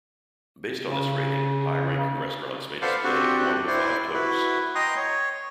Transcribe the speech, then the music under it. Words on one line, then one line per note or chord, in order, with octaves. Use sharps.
Based on this rating, high-ranking restaurants may display one to five toques.
C#3
A4 B4 C5 D5 F5 F#5
C4 D4 F#4 G4 F#5
E4 C5 D5
E4 F#4 B4
D#5 G5 A#5 C6 D#6
C#5